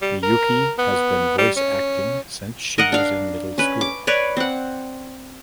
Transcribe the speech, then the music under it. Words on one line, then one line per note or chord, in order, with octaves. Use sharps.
Miyuki had been voice acting since she was in middle school.
G3
A#4
B3
G3
C#4
A#4 D#5 F#5
D4 F5
C#4 B4
D6
B4 C#5 D5
C4 F#5